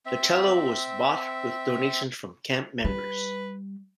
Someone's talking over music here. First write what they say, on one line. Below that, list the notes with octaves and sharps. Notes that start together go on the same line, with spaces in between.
The cello was bought with donations from camp members.
C4 E5
G3 B4